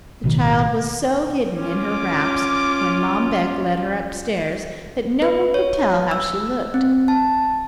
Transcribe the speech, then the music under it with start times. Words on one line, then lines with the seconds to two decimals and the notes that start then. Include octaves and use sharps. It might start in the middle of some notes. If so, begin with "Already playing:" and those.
The child was so hidden in her wraps when Mom Beck led her up-stairs, that no one could tell how she looked.
0.24 A1 B2 D#3
1.57 C#4 F4 D6
5.22 B4
5.54 C#5
6.11 E6
6.74 C4
7.08 A5